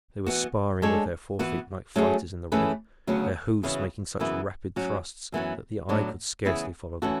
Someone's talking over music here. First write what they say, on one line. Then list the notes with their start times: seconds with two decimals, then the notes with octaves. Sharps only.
They were sparring with their fore feet like fighters in the ring, their hoofs making such rapid thrusts that the eye could scarcely follow them.
0.26 E3 B3 F#4
0.82 G#3 D4 A4 C#5
1.39 E3 B3 F#4
1.96 F#3 A3 C#4 G#4
2.52 E3 A3 C#4 G#4 B4
3.07 D2 C#3 F#3 B3
3.63 C#3 E3 B3 F#4
4.20 F#2 C#3 E3 B3 E4
4.76 F#3 C#4 F#4
5.32 F#2 E3 B3 F#4 C#5
5.89 A2 F#3 B3 D4
6.45 C#3 E3 B3 E4 G#4
7.02 E3 A3 C#4 F#4 A4